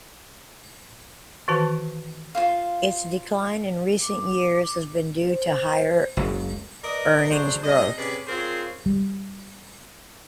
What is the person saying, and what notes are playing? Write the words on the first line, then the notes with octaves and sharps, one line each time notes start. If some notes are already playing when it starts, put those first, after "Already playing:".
Its decline in recent years has been due to higher earnings growth.
D#3 E3 F#4 B4 A5
F4 C5 F5
D6
C5
F#1 C#2
A#4 B4 D5 D#5
F#3 A3 D4 G#4 C5
C3 G3 D4 D#5
C3 C#4 G#4 B4 D5
C4 F4 G#4 A#4 C5 C#5
G3